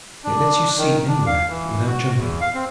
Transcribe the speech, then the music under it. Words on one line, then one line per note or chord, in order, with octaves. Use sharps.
It lets you see anywhere, but without jumping.
D4
D#3
D4
F5
E3
F#4
E2
F5
C4